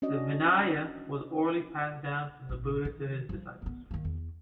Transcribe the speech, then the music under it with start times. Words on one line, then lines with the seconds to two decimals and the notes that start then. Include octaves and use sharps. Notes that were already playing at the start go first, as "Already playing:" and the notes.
The Vinaya was orally passed down from the Buddha to his disciples.
0.02 C#4 D4 F#4 D#5
2.49 A1 B2
2.85 D#3
3.29 F3 G3
3.62 A#3 B3
3.91 D#3 A#3
4.05 E2